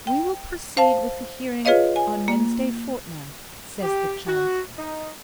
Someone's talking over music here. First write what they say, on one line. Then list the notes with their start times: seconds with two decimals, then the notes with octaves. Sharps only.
"We will proceed with the hearing on Wednesday fortnight," says the Chancellor.
0.07 G5
0.77 C5 F5 A5
1.65 F4 G#4 B4 C#5 D#5 F5
1.96 G#5
2.28 A#3
3.83 G4
4.27 F#4
4.78 D#4